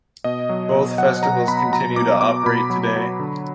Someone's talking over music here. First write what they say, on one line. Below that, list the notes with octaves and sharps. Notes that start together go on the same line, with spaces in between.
Both festivals continue to operate today.
B2 D#5
F#3
B2
F#3 F#5
F#3 A#5
B2 B5
F#3 A#5
B2 D6
B2 D6
B2 B5
F#3
F#3
D3